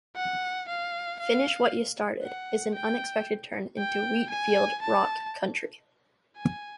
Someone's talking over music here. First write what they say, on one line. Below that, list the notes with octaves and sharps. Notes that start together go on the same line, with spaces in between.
"Finish What Ya Started" is an unexpected turn into wheat-field-rock country.
F#5
F5
F5
F#5
G5
G5
G#5
A5
G#5